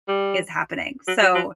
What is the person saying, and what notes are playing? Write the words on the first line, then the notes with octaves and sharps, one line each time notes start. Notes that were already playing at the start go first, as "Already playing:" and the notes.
is happening?" So
G3
F#3
F#3
F#3